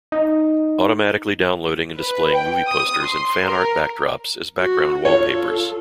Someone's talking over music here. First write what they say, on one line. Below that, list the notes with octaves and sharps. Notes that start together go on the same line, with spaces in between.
Automatically downloading and displaying movie posters and fan art backdrops as background wallpapers.
D#4
B4
G5
D#6
C6
A#4
F#4
F4 A4 C#5